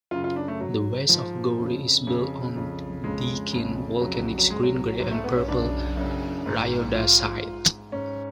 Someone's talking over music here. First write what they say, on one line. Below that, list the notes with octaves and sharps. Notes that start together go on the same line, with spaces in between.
The west of Gowrie is built on Deakin Volcanics green-grey and purple rhyodacite.
F#2 C#3 F4
F4
D4
A3
G#2 F#3
G#2 F3
F2 C#3
F2 C#3
F2 C#3
F2 C#3 G#3
F2 C#3
F2 C#3 F#3
F#3
F#3
F#3
G#2 G#3
F#3
F#3
F#3
G#2 F#3
A3
B3
C#4
F#2 C#3 D4
F#2 C#3
G#2
G#2 F4
G#2
G#2 C#4